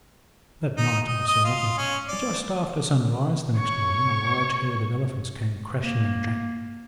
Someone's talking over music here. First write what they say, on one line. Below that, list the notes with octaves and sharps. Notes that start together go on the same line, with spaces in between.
That night I saw nothing, but just after sunrise the next morning a large herd of elephants came crashing and trampling by.
D#4
D#5
D#5
F4
C#4
D5
C#5 C#6
A#3